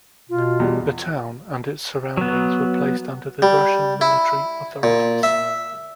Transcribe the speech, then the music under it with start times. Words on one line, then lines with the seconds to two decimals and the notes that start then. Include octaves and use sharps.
The town and its surroundings were placed under the Russian military authorities.
0.30 B2 F4
0.60 E2 G3
2.17 F#3 B3
3.42 G3
4.01 E4
4.83 A#2
5.23 E5